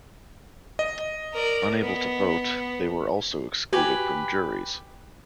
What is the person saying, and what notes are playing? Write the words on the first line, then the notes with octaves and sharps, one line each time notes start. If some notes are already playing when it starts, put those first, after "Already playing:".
Unable to vote, they were also excluded from juries.
D#5
A#4 D5
B3
F#4 G4 B4 G#5